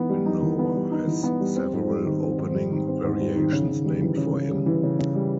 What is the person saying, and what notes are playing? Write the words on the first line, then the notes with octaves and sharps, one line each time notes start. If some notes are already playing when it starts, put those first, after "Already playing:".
Winawer has several opening variations named for him.
Already playing: E3 B3 D#4
G3
D#4
E3
B3
G3
D#4
E3
B3
G3
C4
G#2
G3
D#3
C4
G#2
G3
D#3
C4
G#2
G3
D#3
C#3
C#3
G3
E3
C#3
C#3
G3
E3
C#3
C#3
G3